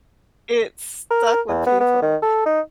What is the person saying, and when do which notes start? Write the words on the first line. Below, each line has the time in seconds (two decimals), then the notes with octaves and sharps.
It stuck with people.
1.11 A#4
1.49 E2
1.67 B3
1.80 B3
2.02 D#3
2.23 A4
2.46 D#4